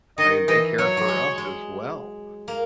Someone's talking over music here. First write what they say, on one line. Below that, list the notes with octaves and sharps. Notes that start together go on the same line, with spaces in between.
They they care for us as well.
D#3 D#5
E3 D#5
F#3 C#5
F#3
G#3
G#3
A#3